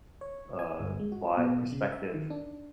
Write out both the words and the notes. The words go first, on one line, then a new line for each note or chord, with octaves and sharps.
uh, by perspective,
C#5
G#5
G1
G#3
F#4
B2
C#3
E5
D#3
D4